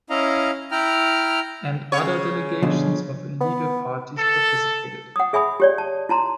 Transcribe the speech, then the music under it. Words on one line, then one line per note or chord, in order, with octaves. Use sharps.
And other delegations of illegal parties participated.
C#4 E4 D#5 F5 A#5
E4 G5 A#5 F6
C#3 C#5
B2 D3 F3
B3
A4
F#5 D#6
G#4 E5 G#5 B5 D#6
G4 C#5 D5
A5
E4 A5 A#5 C6